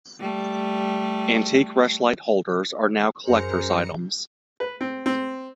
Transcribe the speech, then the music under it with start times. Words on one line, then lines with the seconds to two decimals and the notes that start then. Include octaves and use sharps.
Antique rushlight holders are now collectors' items.
0.19 G3 A3
3.25 F#2 G#4 A#4 C5 A#5 C#7
4.60 B4
4.81 C4
5.06 C4